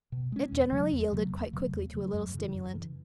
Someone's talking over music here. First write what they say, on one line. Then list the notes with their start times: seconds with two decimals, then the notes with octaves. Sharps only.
It generally yielded quite quickly to a little stimulant.
0.12 B2
0.32 G#3 C#4
0.52 E2
0.72 C#3 F#3 A3
0.93 E2
1.13 C#3 F#3 A3
1.33 E2
1.53 C#3 F#3 A3
1.73 E2
1.94 C#3 F#3 A3
2.14 F#2
2.34 C#3 E3
2.54 F#2
2.74 C#3 E3